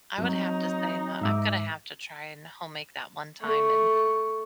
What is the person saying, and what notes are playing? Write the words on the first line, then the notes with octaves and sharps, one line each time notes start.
I would have to say that I'm gonna have to try and home-make that one time and
F#3 C4 D#4
G#2 E5 D6
A3 C#6